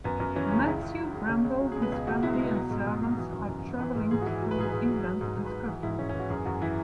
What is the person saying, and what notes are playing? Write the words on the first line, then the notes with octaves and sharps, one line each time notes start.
Matthew Bramble, his family and servants are traveling through England and Scotland.
F#2 B3
F#2
E3 C#4
C#3 C#4
C#2 E4
C#2
F#3
C#3
C#2 C#4
C#2
F#3
G#4
B2
B4
C#2 G#4
C#2 F#4
F#3 E4
G#3
B2
B3
F#3
G#2
G#2
F#3
E3 F#4
F#2
F#2
E3
E3 B4
G#2
G#2 G#4
F#4
E3 G#4
F#3
B4
G#2 G#4
G#2 B4
F#3
F#3
G#2
G#2 G#4
B4
F#3
E3 F#4
G#2 E4
G#2 C#4
C#4
E3 F#4
F#2 G#4
F#2 F#4
E3 E4